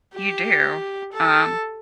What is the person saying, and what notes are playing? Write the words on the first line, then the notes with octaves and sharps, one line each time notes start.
You do, um
G4
A4